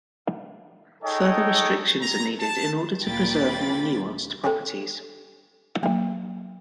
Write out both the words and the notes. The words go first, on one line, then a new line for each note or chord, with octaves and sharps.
Further restrictions are needed in order to preserve more nuanced properties.
D#4 G#4 A4 C#5 D#5 G5
A#5
A5
D2 A#2 A#3 G5 B5 A6
A4 G5 G#5
F#3 A#3 G#5